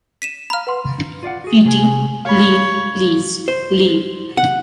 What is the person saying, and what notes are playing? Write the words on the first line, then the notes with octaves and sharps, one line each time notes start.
Fiti, leave, please. Leave.
B6 D#7 E7
F5 A#5 B5 F6
B4 F#5 C6
F4 D5 F5 F#5
F#4 G#4
C3 G#4 A#4 G#5
C#5 F5 B5
C5
F#5